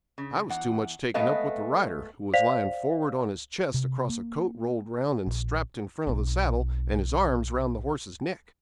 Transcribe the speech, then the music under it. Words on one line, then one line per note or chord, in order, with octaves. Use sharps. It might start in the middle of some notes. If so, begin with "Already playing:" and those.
I was too much taken up with the rider, who was lying forward on his chest across a coat rolled round and strapped in front of the saddle, and his arms round the horse's neck.
C#3
E2 F#5
G#3 A3 B3 B4 D#5 F5
C5 D5 F5 B6 F7
C3
A#3
A#1
B1 C4